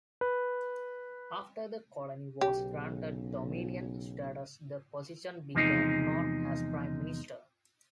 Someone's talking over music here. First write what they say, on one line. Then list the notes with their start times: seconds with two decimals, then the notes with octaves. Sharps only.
After the colony was granted dominion status, the position became known as Prime Minister.
0.21 B4
2.41 B1 C#3 G4
5.55 E2 C3 F3 G#3 D4 D#4